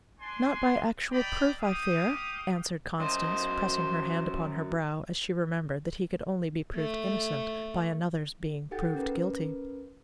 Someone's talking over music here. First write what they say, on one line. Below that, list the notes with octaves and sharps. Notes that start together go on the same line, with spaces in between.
"Not by actual proof, I fear," answered Constance, pressing her hand upon her brow as she remembered that he could only be proved innocent by another's being proved guilty.
D4 G#5 C6
D5 D#5 G5 A#5 B5 D6
G4 F5 D#6
F#2 C5 D#5
A3
D#4 G4 A4 F#5 G5 A6
C#4 A#4 B4